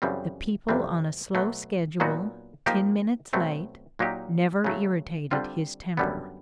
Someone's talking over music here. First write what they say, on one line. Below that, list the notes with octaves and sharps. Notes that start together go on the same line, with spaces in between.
The people on a slow schedule, ten minutes late, never irritated his temper.
F#2 C#3 E3 G3 C4
F2 C3 E3 G3 C4
B2 F#3 A3
A#2 F#3 B3 D#4 F#4
F3 A#3 D#4 G4
B2 F#3 A3 C4
A#2 F#3 A#3 D#4 G4
C#3 F#3 A3
D3 G3 C4 F4
F#2 D3 G3 B3